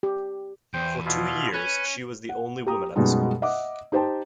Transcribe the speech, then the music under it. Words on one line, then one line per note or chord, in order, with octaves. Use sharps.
For two years, she was the only woman at the school.
G4
E2 C5 G5
B2 E4 F4
C#4 B4 G#5
F#5
G4 G5 A#5 D#6
F#2 B2 G3 G#3 B3 D#4
D#5 E5 F#5 D6
D#4 G4 C5 G5 A5